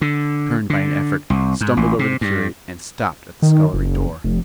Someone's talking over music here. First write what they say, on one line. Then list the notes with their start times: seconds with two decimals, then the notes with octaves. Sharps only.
I turned by an effort, stumbled over the curate, and stopped at the scullery door.
0.01 D3
0.70 D3
1.30 C2
1.61 G#2
1.77 A1
1.99 C3
2.21 G2
3.42 D#3
3.74 F#1
4.24 F1